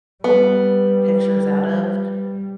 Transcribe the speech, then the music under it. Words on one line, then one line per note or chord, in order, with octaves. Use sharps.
pictures out of.
G3 B3